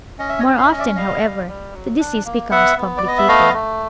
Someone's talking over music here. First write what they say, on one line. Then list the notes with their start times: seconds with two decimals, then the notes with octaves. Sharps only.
More often, however, the disease becomes complicated.
0.19 C#4 D#5
0.29 E5
0.39 C#5 D#5
0.44 C#4
0.57 F5
0.64 E5
0.70 C#4 D#5
0.79 D5 E5
0.96 G3 D#5 F5
1.22 G3
1.48 G3
1.73 F#3
1.99 D4
2.25 A#3
2.50 B3 E5 F#5
2.77 B3
2.97 D5
3.03 B3 D#5
3.18 E5
3.28 A3 D#5 F5
3.54 A3